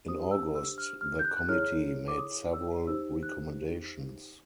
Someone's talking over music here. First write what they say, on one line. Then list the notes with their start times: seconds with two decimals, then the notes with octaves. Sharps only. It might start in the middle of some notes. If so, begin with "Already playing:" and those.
In August, the committee made several recommendations.
0.08 C5 D#6
0.11 D4 G4
0.31 E6
0.55 E6
0.78 F6
1.01 F6
1.19 G6
1.25 F#6
1.37 F#6
1.48 E4 G#4 C#5 F6
2.08 D6
2.18 D#6
2.53 E6
2.87 D#4 G4 C5 E6
3.23 F#6